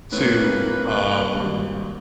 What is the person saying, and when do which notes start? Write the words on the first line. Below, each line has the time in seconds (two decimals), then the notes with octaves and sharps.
to, um,
0.12 C2 A2 A#3 C4 B4
1.35 G#1 G2